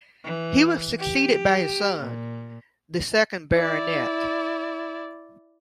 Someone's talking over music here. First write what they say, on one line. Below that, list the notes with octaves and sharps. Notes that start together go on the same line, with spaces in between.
He was succeeded by his son, the second Baronet.
E3
G4
A#2
E4 D5